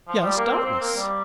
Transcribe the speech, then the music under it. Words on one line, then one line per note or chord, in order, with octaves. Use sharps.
"Yes, doubtless."
F3
G3
A#3
C4
C4
A#3
G3